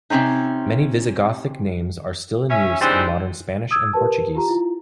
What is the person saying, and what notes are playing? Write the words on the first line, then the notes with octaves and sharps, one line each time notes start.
Many Visigothic names are still in use in modern Spanish and Portuguese.
C3 A#3 C4 C#4 D#4
C#4 E5
E3 G3 G#3 C4 D4 D#4
D#6 E6 G#6
G4 A#4 B4 A5
F4 G4 A#5
E4 F4